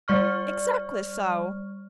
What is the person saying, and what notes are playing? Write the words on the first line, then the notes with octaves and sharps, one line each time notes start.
'Exactly so.
G3 D5 C#6 F6